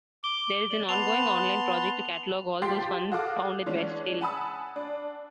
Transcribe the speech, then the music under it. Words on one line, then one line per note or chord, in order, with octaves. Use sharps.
There is an ongoing, online project to catalogue all those found at West Hill.
D6 G7
D5 F#7
B3 A5 C6 F7
F3 G4 G5 C6 A6 C7
F#4 G#4 A4 F5 D6
E3 G#3 C#4 D4
F#5 G#5 A5 B5 D#6 E6
D4